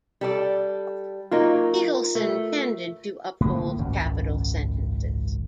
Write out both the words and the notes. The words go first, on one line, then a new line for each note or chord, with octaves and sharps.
Eagleson tended to uphold capital sentences.
G3 A4 D5
F#3 A#3 D#4 F4 A#4
A3
A2 D3 A#3
G#1 C#2 F#2